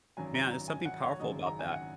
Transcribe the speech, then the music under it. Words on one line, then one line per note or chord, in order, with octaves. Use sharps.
man, there's something powerful about that.
G#1 F#2 F#3 G#5
A#5
A#5
G#5
F#5
C#5
G#1 F#2 C#3 F#3 D#5
A#5
G#5
F#5